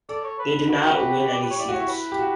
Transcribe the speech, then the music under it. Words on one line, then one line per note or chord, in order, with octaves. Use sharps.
They did not win any seats.
A4 D5
C#5
B4
F#4 B4
F#4
G4
D5
B4
C#5
E4 D5
F#4
C#5
E4
B4
G4
F#4